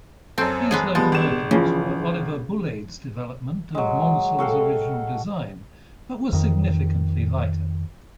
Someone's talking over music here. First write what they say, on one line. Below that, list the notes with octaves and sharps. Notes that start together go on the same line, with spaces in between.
These locomotives were Oliver Bulleid's development of Maunsell's original design, but were significantly lighter.
F#2 C4 A4
G#3 B3 G#4
F3 G3 G#3 B3
G1 E7
C#3 E3 F3
F#3 G#3
F#4 A4 F5 G5
F2 D#3